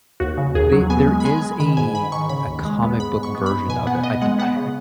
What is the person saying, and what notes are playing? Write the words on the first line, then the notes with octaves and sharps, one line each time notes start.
the there is a a comic book version of it. I pu I
D#2 F#4
C#3
D#2 G#4
F#3
B3 G#5
G#3
B5
G#3 G#5
G#3
D#3 B5
G#2 G#5
G#2 B5
D#3 C#6
C#3 B5
D#2
G#3
B3
G#2 B5
G#2
C#6
B3
B5
G#2
B2 G#5
B3 F#5
B3 D#5
G#3 F#5
B3 F#5
C#3